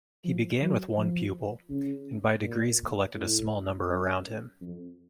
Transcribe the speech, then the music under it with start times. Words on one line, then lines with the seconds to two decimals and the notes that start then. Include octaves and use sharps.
He began with one pupil, and by degrees collected a small number around him.
0.24 F3
0.61 F#3
0.97 F3
1.70 C#3
2.42 A#2
3.15 A2
3.88 F#2
4.61 F2